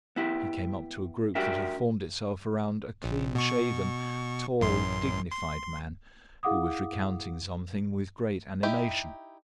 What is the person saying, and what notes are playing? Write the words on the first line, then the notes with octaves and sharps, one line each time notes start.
He came up to a group that had formed itself round a clean-shaven, tall, dignified man, who was recounting something with great animation.
B3 E4 G4
D4 F#4 G4 A#4 E5
A#1
B2 C#6
A1 F#2 C6
C6
E4 G#4 F5 F#5 D6 D#6
D#4 E4 G4